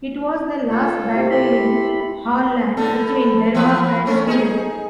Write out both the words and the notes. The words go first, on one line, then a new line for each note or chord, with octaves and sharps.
It was the last battle in Halland between Denmark and Sweden.
C#2 F4 A4 C#5
C3 E4
E4 G4 A4 B5 C6
A2 D3 A4
E3 F3 B4
A3 C4 C#4
D#4 G#4